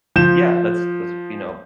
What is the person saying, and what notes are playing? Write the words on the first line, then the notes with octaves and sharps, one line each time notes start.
yeah, that's that's, you know,
F3 G6 E7